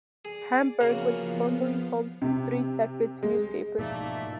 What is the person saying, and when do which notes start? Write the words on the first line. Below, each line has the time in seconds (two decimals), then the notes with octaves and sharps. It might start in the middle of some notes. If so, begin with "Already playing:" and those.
Hamburg was formerly home to three separate newspapers.
0.25 G#4 D5
0.80 C#3 F3 A#3 B3 F4 F#4
2.22 C3
3.23 G#3
3.79 G#2 B2 F3 A3 A#3 D#4 D5 E5